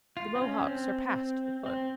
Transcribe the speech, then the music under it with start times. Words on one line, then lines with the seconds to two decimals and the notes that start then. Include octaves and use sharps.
The Mohawk surpassed the Fun.
0.17 F4
0.35 C4
0.42 C#4
0.66 C4
1.66 C4